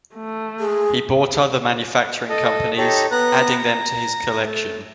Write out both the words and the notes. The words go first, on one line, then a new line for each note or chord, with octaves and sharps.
He bought other manufacturing companies, adding them to his collection.
A3
G#4
A4 D#5
D#4 G4 A4 C#5
B3 B4 A#5 F#6
A#5
A3